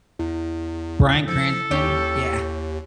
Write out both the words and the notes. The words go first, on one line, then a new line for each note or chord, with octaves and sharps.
Bryan Cranston? Yeah,
E2 E4
F3 A4
D#2 C#4 G4 G5